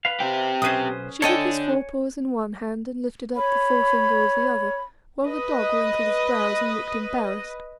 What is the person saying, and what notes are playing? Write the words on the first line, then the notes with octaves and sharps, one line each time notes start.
She took his fore-paws in one hand, and lifted up the forefinger of the other, while the dog wrinkled his brows and looked embarrassed.
B4 F5
C4 G4
B1 C#4 B4 C5 D#6
D3 D4 A4 C#5 D#5 G5 G#5
C#5 B5
B4 D#5